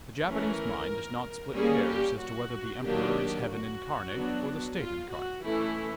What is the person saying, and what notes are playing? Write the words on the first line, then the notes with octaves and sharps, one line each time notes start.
The Japanese mind does not split hairs as to whether the Emperor is Heaven incarnate or the State incarnate.
E3 A3 C#4 A#4
G3 A#3 C#4 G#4
G4
F#4
D#3 F#3 A#3 D4 G4
F#4
F#3 B3 D4
F4
F#4
E3 A3 C#4 E4